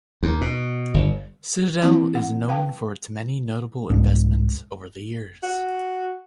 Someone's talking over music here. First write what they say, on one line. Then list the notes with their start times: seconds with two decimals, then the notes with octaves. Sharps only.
Citadel is known for its many notable investments over the years.
0.23 D#2
0.41 B2
0.94 G1
1.82 E3 A#3 C4 E4
2.15 F#5
2.48 B4 F5 G5 A5
3.90 C2 G#2 G#3 D4
5.43 F#4